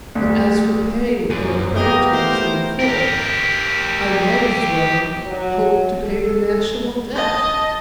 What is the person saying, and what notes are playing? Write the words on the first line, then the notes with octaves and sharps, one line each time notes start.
But as for paying your creditors in full, I might as well hope to pay the National Debt.
D2
F#2 G#4 D5 D#5
A#3 B3 G4 G#4 A#4 D#5
A3 C5
G4 A#4
F#3
A4
D#5 A5